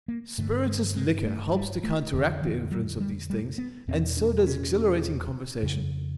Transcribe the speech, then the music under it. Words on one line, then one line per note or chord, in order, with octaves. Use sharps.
Spirituous liquor helps to counteract the influence of these things, and so does exhilarating conversation.
A#3
G2 D3 A3
G#3
G#3
A3
G3
A3
F2 D3
E3
F#3
G3
G3
B3
E2 B2 C4
D4
C#4
F2 C#3